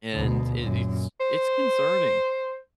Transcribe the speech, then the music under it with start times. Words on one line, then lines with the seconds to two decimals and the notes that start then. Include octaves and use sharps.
and it it's it's concerning,
0.14 D2 B2
0.61 F#2 A#2
1.20 C5